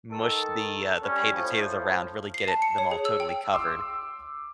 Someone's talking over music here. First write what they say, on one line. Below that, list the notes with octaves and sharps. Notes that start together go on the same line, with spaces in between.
mush the, uh, the pa the potatoes around, really get it them all totally covered.
D#3 A4
G3 C#4
A2 F3
C7
A5
C#7
C#5
G#4
E6
G5
C6 D6 E6